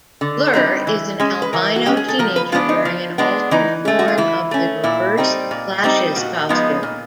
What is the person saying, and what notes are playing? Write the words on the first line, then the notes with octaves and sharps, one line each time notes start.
Blur is an albino teenager wearing an altered form of the Reverse Flash's costume.
D3
G3 C4 D#4
E3
G#3 C#4
B4
E3 A#4
F#4
G#3 C#4 G4
G#4
A4
F3 A#4
B4
G#3 B3 D4 F4
D#4
F3
G#3 B3 D4
E3 D#4
A3 C#4
F#4
F4
E3 E4
A3 C#4
A#2 E4
G3 C4 D#4
A#2
G3 C4 D#4
A#2 F#4
F3 G#3 B3 D#4
A#2